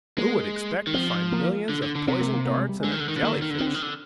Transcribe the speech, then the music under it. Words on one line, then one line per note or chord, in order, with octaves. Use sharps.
Who would expect to find millions of poisoned darts in a Jelly-fish?
G#3 A#3
D#3
F3 C4
A#3
D3
D3
D3
C3 C4
A#3
A#3
A#3
G#3
G3
D3 G#3
D#3
D3
D#3
D3
D#3 A#3
D3
D#3
D3
D#3 C4
D3
D#3
D3